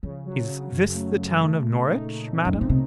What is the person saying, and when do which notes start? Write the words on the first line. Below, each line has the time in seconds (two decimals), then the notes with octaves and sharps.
"Is this the town of Norwich, madam?"
0.03 C#3 F3
0.25 F#3
0.49 C#3
0.71 F#2
0.94 A3
1.17 C#3
1.40 A3
1.63 A#2
1.86 D#4
2.09 A3
2.32 C4
2.45 F#2
2.53 A2 D#4
2.61 A#2
2.69 C3